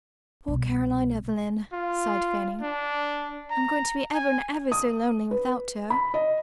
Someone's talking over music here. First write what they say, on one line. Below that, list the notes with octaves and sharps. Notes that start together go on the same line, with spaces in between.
"Poor Caroline Evelyn," sighed Fanny, "I'm going to be ever and ever so lonely without her."
C2 B2
F4
D4
A#5
G#5
D#6
B4
B5
D#5